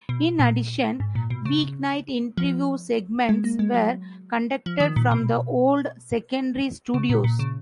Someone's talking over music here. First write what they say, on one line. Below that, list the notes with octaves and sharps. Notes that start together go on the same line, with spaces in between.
In addition, weeknight interview segments were conducted from the old secondary studios.
B2
A#2
G#2
A#2
B2
C#3
F3
G#3
A#3
G#3
F#3
F3
D#3
A#2
B2
C#3
A#2
A#2
C#3